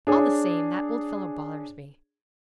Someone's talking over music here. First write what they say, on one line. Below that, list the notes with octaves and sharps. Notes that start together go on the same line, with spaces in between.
"All the same, that old fellow bothers me."
D4 G#4 C#5